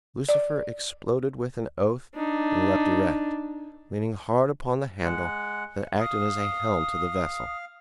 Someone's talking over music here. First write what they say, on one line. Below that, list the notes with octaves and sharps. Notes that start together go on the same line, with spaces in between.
Lucifer exploded with an oath and leapt erect, leaning hard upon the handle that acted as a helm to the vessel.
D5
D4 D#4
G#3 F#5
F5 D#6